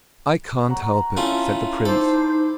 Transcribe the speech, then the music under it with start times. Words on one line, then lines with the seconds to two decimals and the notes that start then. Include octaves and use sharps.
"I can't help it," said the prince.
0.69 C#5 F#5 A#5
1.17 A3 C#4 E4 F4
1.85 D#4 A4 C5 D5 D6